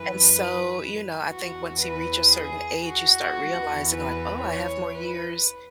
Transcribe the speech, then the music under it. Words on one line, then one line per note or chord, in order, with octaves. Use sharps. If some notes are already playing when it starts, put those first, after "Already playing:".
and so, you know, I think once you reach a certain age, you start realizing like, "Oh, I have more years,
Already playing: F#2 E3 B4
E2 E3 F#4
B4
G#4
F#4
E2 E3
B4
C#5
B4